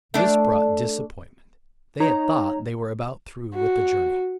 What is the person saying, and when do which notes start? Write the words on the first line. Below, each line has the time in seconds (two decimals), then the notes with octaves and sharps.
This brought disappointment; they had thought they were about through with the journey.
0.14 A3 D4
2.00 D#4 C#5 A#5
3.54 F#4